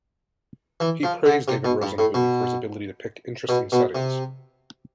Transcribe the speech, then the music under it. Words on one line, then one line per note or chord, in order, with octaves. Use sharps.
He praised David Rosenboom for his ability to pick interesting settings.
E3
F3
D3
C3
B2
G2
A2
B2
B2
B2
C3